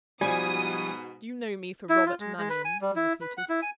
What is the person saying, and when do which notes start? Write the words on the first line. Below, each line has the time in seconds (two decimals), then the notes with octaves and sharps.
"Do you know me for Robert Mannion?" he repeated.
0.21 G#2 B2 F3 G3 G#5 D#6
1.89 E4
2.06 F4
2.20 G#3
2.38 G#3
2.50 B4
2.65 G#5
2.82 G3
2.96 E4
3.21 B4
3.37 F#5
3.49 E4
3.62 G#5